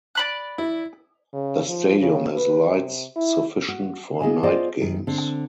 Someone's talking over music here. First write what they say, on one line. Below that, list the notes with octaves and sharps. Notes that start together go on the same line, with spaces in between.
The stadium has lights sufficient for night games.
D5 B5 F#6
E4
C#3
F3
C#3
B4
C3
E4
F#4
B3 E4 G#4 D#5 F5 G#5
F4 G#4 C5 D5 D#5 F5
F#2 D#3
D3 C4